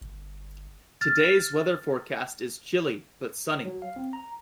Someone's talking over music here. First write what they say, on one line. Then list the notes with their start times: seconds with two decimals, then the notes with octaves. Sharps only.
Today's weather forecast is chilly, but sunny.
0.02 G1
1.01 F6 A6
3.65 F#3
3.82 F5
3.96 C4
4.13 A#5